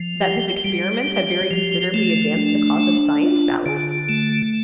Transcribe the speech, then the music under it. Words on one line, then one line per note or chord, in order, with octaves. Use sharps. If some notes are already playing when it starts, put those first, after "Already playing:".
"That his experiments have very considerably advanced the cause of science, doubtless?"
Already playing: F3
G4
G3
G4
F3
A3
D4
D4
F4
D3
A3